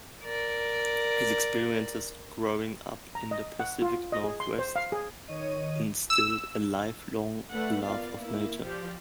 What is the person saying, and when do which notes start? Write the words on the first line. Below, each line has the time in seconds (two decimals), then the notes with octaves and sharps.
His experiences growing up in the Pacific Northwest instilled a lifelong love of nature.
0.24 A#4 D5
3.15 A#5
3.31 D#5
3.60 F#5
3.82 F4
4.12 D#5
4.24 G#4
4.40 C6
4.59 C5
4.76 F5
4.92 G#4
5.28 D#3 C#5 D#5 D#7
6.10 E6
7.52 A3 D4 B4 F#5
7.84 B3 F4 A#4 D5 F5
8.16 A#3 E4
8.63 F3 G4 D5